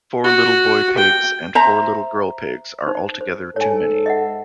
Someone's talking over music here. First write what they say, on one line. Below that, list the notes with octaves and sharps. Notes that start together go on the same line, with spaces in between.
Four little boy pigs and four little girl pigs are altogether too many.
F#4
G5
C5 E5 A#5
D#4 C5
C5
G#2 A4 C#5 G#5
D#5 E5 F#5